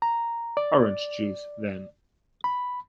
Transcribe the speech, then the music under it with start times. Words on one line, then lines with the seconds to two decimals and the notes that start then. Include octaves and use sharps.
Orange juice, then.
0.02 A#5
0.57 D5
2.44 B5